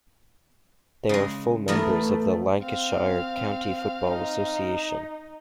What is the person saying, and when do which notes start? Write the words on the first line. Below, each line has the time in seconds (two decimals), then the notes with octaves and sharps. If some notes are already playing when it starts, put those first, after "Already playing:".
They are full members of the Lancashire County Football Association.
1.09 C#3 G#3
1.68 E2 A3 B3 A#4
2.60 C4 F5
4.06 D#4